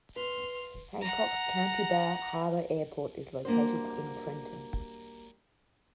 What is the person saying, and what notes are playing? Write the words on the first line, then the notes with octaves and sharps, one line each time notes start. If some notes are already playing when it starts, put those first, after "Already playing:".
Hancock County-Bar Harbor Airport is located in Trenton.
B4 C6 F6
F#5 A#5
G3 A#3 D4 F#4 C5